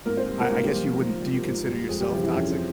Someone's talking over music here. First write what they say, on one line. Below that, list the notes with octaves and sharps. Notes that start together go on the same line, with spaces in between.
I I guess you wouldn't do you consider yourself toxic?
G#2 A#3 A#4
C4 C5
G3
A#3 A#4
G#2 A#3 A#4
G3 G4
F3 G3 F4
F3 F4
G#2
G3
G#2
G3
F2 G#3 G#4
G3 G4
C3 E3 F3 G3 F4
E3 E4
F2 C#4
C4